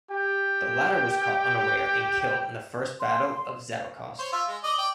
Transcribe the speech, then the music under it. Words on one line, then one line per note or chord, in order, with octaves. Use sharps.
The latter was caught unaware and killed in the first battle at Zawichost.
G4 G5
C6
C5 C#5
F4 E5
G#3
D5 D#5
D5 G5